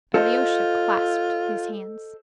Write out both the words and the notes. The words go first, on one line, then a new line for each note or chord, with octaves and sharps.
Alyosha clasped his hands.
F4 A4 C5 D#5